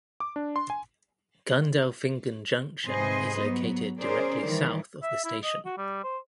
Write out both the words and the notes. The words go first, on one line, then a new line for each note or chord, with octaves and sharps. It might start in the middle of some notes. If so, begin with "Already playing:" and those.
Gundelfingen junction is located directly south of the station.
D6
D4
C6
G#5
G#2 C3 G#4 B4 C5 D#5
F#3 B3
C#4 G#4 A#4 C5 D5
D#3 E3 G3
E5
E4
D#5
F#4
G3
C5